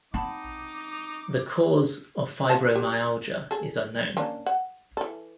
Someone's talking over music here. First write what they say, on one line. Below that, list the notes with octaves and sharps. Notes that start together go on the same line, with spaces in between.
The cause of fibromyalgia is unknown.
C4 D#4 F#5 A5 B5 D6
F3 A5
G4
G#4 A4
A#3 C#4 D4
F#5
E3 A4